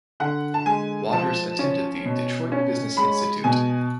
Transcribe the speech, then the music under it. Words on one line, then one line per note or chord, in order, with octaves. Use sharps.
Waters attended the Detroit Business Institute.
D3 F#5
A5
G#3 G#5
F3 A5
C#4
B2
C#4
G#3 B5
B2 G#5